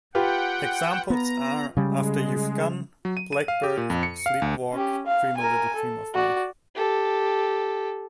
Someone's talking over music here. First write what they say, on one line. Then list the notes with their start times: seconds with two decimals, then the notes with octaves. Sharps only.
Examples are 'After You've Gone', 'Blackbird', 'Sleep Walk', 'Dream A Little Dream Of Me'.
0.15 F4 G4 B4 F#5 G5
1.10 B3 A#5
1.77 C#3 G3 G#3
3.05 F#3
3.17 D#7
3.33 D#7
3.48 F5
3.63 G4
3.77 A#2
3.90 F2
4.03 C#7
4.26 F5
4.42 D2
4.73 C#4 G4
5.07 F5
5.37 A#4 G#5
5.76 A4
6.15 F#4 D5
6.75 G4 A4